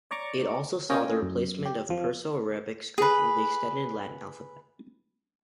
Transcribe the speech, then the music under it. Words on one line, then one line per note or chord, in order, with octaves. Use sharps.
It also saw the replacement of the Perso-Arabic script with the extended Latin alphabet.
C#5 D5 A#5 C#6 D6
A#3 C#4 F4 D#5 G5 G#5
F#2
G4
F2 F3
G#4 B4